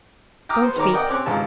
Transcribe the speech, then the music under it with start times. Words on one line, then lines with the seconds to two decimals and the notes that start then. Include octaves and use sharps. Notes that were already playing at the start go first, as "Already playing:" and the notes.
Don't speak.'
0.49 G5 A#5 D6 D#6 F6
0.62 B3 C5
0.76 D#3 A#4 C#5 A#5 D6
0.93 A#4 D5 D#5 F#5 G5
1.09 C4 C#4 D6 F#6
1.26 A1 G#2 D3 F4 A5